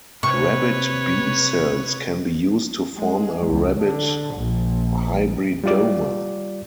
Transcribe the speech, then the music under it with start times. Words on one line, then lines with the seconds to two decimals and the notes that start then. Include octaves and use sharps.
Rabbit B-cells can be used to form a rabbit hybridoma.
0.23 C3 B4 C#5 C#6
2.96 G#3
3.47 C#2
3.80 D3
4.34 A#1
5.64 G3 F4 D5